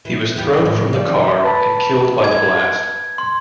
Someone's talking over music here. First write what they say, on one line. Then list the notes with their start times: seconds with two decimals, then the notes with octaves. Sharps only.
He was thrown from the car and killed by the blast.
0.05 E3
0.36 E2 B3 G4
0.53 C#3 E3
0.65 A2
0.93 D#3 F3 D5
1.44 B4 A5 B5
2.24 G#6
3.18 C6